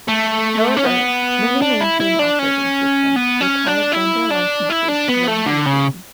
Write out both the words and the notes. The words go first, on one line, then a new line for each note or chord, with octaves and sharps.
However, many mainframe operating systems require vendor licenses to run legally.
A3
C#4
B3
D4
E4
E4
D4
C#4
B3
C#4
D4
E4
D4
E4
D4
B3
A3
D3
C#3